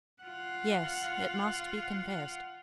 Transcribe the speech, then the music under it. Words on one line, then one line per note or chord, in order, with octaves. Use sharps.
Yes, it must be confessed.
F4 F#5